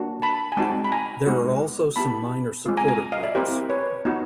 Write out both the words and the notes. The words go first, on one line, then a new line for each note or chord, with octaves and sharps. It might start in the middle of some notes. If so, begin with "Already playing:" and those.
There are also some minor supporter groups.
Already playing: A#3 D4 F#4
A5 B5
G#5
G#3 C4 D#4 F#4 G5 A5
B5
G#5 A#5
G#3 B3 D#4 F#4
B3 E4 G4 A5 B5
G#3 C4 F4
G#5 A#5
G#5 A#5
D#5 F5
D5 E5
C4 E4 G4 A#4 C5
B4 C#5
B3 D#4 F#4